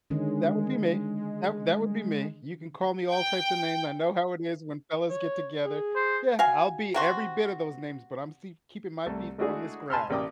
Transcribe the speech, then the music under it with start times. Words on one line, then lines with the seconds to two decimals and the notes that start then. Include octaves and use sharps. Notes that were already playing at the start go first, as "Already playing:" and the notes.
That would be me. That that would be me. You can call me all types of names, I know how it is when fellas get together. Yeah, I'll be every bit of those names, but I'm see keeping my feet on this ground.
0.10 D3 D#3 G#3 C#4
3.10 G5
5.10 C#5
5.65 G#4
5.96 C5
6.39 F#4 F5 G#5
6.94 C3 F#4 C6
9.06 C2 A3 A4
9.38 G#3 A3 D4 E4 F#4 G#4
9.90 G#5 A5 B5 C6 E6 F6
10.10 A1 A#3 D5 G5 D6 D#6